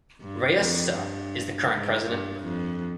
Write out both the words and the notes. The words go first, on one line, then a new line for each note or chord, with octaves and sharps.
Rhea Suh is the current president.
G2
F2
G2
G#2
G2
F2